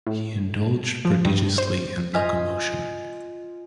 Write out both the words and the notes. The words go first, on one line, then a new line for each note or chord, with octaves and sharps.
He indulged prodigiously in locomotion.
A2
F3
G2
C5
F4 C5 D#5 G#5 F6 B6